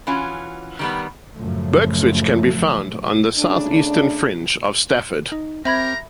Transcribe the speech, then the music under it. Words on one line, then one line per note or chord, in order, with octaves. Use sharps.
Berkswich can be found on the south-eastern fringe of Stafford.
E3 C#4 F4 F#4
D#3 G3 B3
F#2 A2 C#3 F3 A3
C#3 A3 D4
D#4
C4 G4 A#4 E5 A#5 B5 G#6